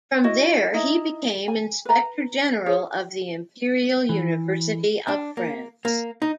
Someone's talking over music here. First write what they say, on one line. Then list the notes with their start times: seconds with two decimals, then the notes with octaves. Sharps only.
From there he became inspector general of the Imperial University of France.
0.24 E4 F#4 D#5
0.74 D#4 E4 D#5 E5
1.48 G#5
1.85 B4 A#5
2.66 G#4 C#5
4.09 E3
5.08 D4
5.37 A#3
5.85 A#3
6.22 D#4